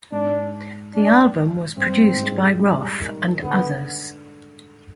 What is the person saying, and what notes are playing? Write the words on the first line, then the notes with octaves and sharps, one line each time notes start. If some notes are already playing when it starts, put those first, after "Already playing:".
The album was Produced by Ruff and others.
G#2 D4
D4
G2 C4
G#2
G#3
G3
G3
D#3
D3 B3